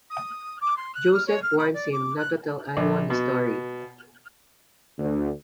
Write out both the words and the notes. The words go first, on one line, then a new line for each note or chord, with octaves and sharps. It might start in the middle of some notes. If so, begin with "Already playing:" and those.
Josef warns him not to tell anyone the story.
D#6
D6
C6
F#6
F6
C#5
F6
B5
D5
D6
F#6
A#1
B2
D2